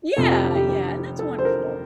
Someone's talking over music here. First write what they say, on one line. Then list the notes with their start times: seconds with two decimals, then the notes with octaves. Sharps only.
Yeah. Yeah and that's wonderful.
0.17 F1 F2 C3 F3 A4
0.29 G4
0.42 G4
0.55 G4
0.69 G4
1.19 A4
1.38 C5
1.45 A#4